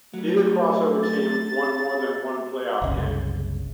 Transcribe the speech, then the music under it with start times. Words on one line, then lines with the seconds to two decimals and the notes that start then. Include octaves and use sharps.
Neither crossover team won more than one playoff game.
0.14 F#3 G3 A3
1.03 A6
2.82 F#1 C2 C#3